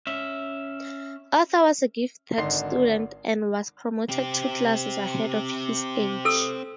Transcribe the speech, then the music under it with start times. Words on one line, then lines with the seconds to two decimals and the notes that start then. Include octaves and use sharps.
Arthur was a gifted student and was promoted two classes ahead of his age.
0.07 C#4 E5
2.38 G#1 D3 D#4 C6 C7
4.09 C4 G4
6.25 A4 E6